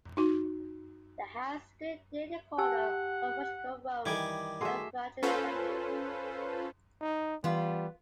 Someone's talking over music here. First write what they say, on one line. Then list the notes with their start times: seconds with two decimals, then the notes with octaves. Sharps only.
The house stood near the corner of Watchogue Road and Bradley Avenue.
0.17 D#4 F#4
2.58 G4 F#5 G#5 A5 E6
4.06 D#3 E3 G3 D6 G#6
4.61 A3 F#4 G#4 E5 C6
5.23 C#4 F4 A4 B4 C5
7.01 D#4
7.44 E3 G3 B3 F4